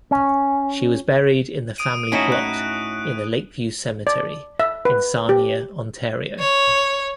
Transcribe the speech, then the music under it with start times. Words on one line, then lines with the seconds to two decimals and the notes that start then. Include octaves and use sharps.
She was buried in the family plot in the Lakeview Cemetery in Sarnia, Ontario.
0.11 C#4
1.78 D#6 D7 D#7
2.12 A2 C#4 D#4 E4 F#4
2.32 F#6
4.07 D5
4.60 E5
4.85 B4
5.29 G4
6.40 C#5